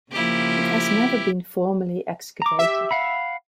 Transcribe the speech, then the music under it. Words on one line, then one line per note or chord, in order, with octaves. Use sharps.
It has never been formally excavated.
C#3 F3 A#3 E4 G4
A#5 D6
G4 E5
F5 F#5 B5